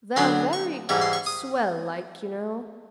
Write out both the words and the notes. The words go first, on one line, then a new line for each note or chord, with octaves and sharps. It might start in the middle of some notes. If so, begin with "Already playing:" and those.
"They're very swell-like, you know."
D3 F#3 B3 D4 C6
C#6
G#2 E3 G3 C#6
C6
C#6
D#6